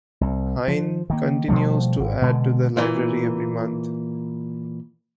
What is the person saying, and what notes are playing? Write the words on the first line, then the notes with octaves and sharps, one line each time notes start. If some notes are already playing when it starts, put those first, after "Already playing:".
Hein continues to add to the library every month.
C2
F3
D#3 A#3
B2 F3 G3 A3
G#1
B2 D3 G#3
A#2 E3